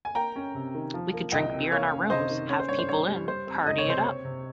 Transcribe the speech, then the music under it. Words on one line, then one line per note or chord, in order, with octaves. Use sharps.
We could drink beer in our rooms, have people in, party it up.
G#5
A#3 G5 A#5
C#4
C3
D#3
F3
A#3
C2 D#5 G5
C3
A#3 C#5 F5
C#4
C3 C5 D#5
D#3
C#4 C#5
C5
G2 C#5
C5
G2 C#5
G3
G3 C5
C4
C#2 D#5
C#5
C3 C5
C4 C#5
C3